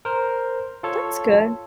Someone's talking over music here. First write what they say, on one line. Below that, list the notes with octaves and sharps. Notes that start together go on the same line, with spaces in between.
That's good.
A#4 C5
F4 A4 C#5